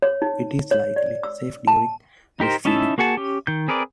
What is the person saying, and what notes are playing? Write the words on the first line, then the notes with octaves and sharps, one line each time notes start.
It is likely safe during breastfeeding.
C#5
D#4
C#5
D5
E6
A5
D#4 G4 A#4 C5
C#4 D#4 E4 E5 A5
A#3 F#4 G#4 F#5 A5
C#4 G4
D#3 G6
C4 G#4 A#4 B4 D5